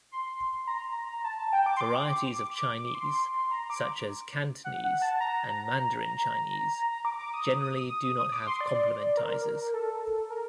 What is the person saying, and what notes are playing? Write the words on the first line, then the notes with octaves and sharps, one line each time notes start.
Varieties of Chinese, such as Cantonese and Mandarin Chinese, generally do not have complementizers.
C6
A#5
A5
A5
G5
D6
C6
D6
C6
A#5
D6
F#5
F#5
A5
A#5
A#5
D6
D6
D#6
D#6
D#6
D#6
D#6
D#6
D6
C6
D5
A#4
A4
A#4